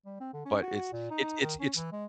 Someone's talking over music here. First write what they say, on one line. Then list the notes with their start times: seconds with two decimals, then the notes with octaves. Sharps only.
but it's it's it's it's
0.06 G3
0.21 C4
0.34 D3
0.46 C#4
0.62 F#4
0.76 F#4
0.93 A#2
1.11 D#4
1.41 D#3
1.60 C#4
1.76 E3
1.93 G#3